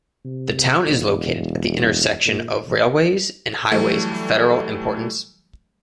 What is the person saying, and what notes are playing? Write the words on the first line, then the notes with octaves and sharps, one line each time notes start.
The town is located at the intersection of railways and highways of federal importance.
C3
E1
A#2
E3 F#3 G3 A3